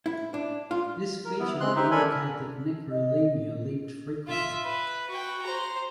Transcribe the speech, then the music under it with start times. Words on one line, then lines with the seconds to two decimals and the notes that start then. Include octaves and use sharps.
This feature may indicate that "Necrolemur" leaped frequently.
0.06 E4
0.34 D4
0.71 F4
1.25 A#4
1.39 B3 E4
1.60 G#3 C4 C6 F#6
1.76 D#4 E4 G4 B4 C5 E5
1.91 D4 A4 A#4 G#5 B5
2.91 D#5
4.27 F4 E5
4.64 B4
5.10 F#4 G5
5.43 C5 A#5